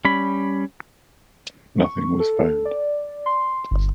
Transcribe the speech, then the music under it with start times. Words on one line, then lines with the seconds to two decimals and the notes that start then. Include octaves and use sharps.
Nothing was found.
0.05 G3 C#4 B5
1.84 C#6
2.20 A4
2.65 D5
3.26 C6
3.71 G1